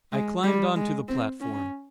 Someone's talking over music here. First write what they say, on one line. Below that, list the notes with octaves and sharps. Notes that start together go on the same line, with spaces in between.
I climbed onto the platform.
G#3
G3
G#3
C4
C#4